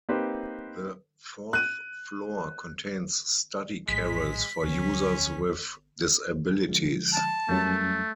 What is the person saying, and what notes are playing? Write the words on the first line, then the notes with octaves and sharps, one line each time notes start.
The fourth floor contains study carrels for users with disabilities.
A#3 C4 D#4 G4 B4 C5
F#6 D#7
A#1 A2 G#3 B6
D2 F3 C#4
D3 F3 G#3
A5
F2 F#3 G3 A3 C#4 A#4